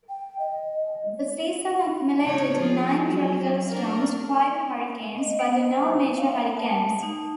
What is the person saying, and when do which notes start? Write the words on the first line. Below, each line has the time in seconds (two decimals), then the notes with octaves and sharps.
The season accumulated nine tropical storms, five hurricanes, but no major hurricanes.
0.09 G5
0.39 D#5
2.24 C#3 D#4 C#5
2.56 F3 F4 G#4
3.06 F#3 F#4
3.69 D4 A#4
5.18 D#5
5.39 B3
5.53 C5
6.16 F5
6.32 E5
6.57 A5
7.03 D#4